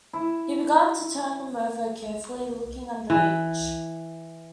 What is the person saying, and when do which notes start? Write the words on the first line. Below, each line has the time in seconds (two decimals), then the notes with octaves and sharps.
He began to turn them over carefully, looking under each.
0.13 E4
3.10 E3